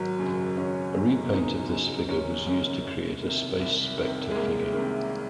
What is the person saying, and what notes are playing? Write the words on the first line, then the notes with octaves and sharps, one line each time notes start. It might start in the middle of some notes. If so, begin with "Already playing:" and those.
A repaint of this figure was used to create a Space Specter figure.
Already playing: G#1 F#3
F#2 C#3
G#1 C#4
F#2 C#3
G#1 D#4
F#2 C#3
G#1 C#4
F#2 C#3 C#4
C2
C3 D#3
C2
C3 D#3
G#3
C2 A#3
C3 D#3